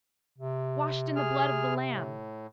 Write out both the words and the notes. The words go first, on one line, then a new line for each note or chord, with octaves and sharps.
Washed in the blood of the Lamb.
C3
G#4 F6
A2